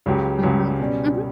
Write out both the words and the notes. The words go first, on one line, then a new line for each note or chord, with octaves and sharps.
Mhm. Mhm.
C#2 C#3 F#3 C#4 G4
C#2 C#3 F#3 C#4 G4
B2 G3 C#4